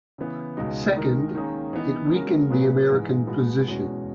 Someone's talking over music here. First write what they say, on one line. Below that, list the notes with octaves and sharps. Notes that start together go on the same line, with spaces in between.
Second, it weakened the American position.
C#3 E3 B3
C#2 B2 G#3 D#4
D#3 G#3 D#4 A#4
D#3 A#3 C#4 G#4
E3 B3 D#4
C#3 G#3 C#4 F#4 A#4
A#2 F#3 C#4 G#4 B4
G#2 E3 G#3
B2 G#3 B3 F#4
E2 B2 G#3 C#4 F#4